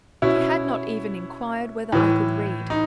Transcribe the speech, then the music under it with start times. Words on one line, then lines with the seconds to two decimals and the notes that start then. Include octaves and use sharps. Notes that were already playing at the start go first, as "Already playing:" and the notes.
She had not even inquired whether I could read.
0.22 B2 C#4 E4
1.92 A2 E3
2.70 D#4